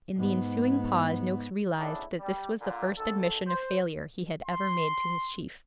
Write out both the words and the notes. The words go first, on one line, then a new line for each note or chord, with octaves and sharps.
In the ensuing pause Noakes realized that this was the first admission of failure he had ever made to his chief.
G#2 B3
E2 A2 C#3 D4 E4
G3
A#2 D3
B1 D#3 A4
C5
C6